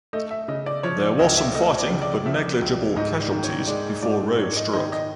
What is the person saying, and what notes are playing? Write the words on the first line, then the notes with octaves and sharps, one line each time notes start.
There was some fighting but negligible casualties before "Roe" struck.
A3 D#5
E5
C#3 D#5
D5
F3 C#5
D5
C#2 D#5
E5
A3 D#5
D5
C#3
D5
F3 E5
C#2
G#2 D#5
D5
D#3
C#5
G#3 D5
G#2 D5
G#2 C#5
D#5
D#3 D#5
D#5